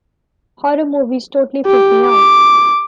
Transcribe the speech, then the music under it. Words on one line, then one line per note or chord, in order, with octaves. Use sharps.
Horror movies totally freak me out.
G4
D6